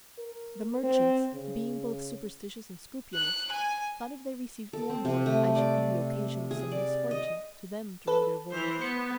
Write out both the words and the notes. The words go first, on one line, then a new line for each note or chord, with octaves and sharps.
The merchants, being both superstitious and scrupulous, thought if they received me on board I should be the occasion of some misfortune to them during their voyage.
A#4
C4
C#3
F#6
G#5
A4
C4
C3
A3
D5
G#4
D5
D#5
A4 B4
E3 C5
B3 C#7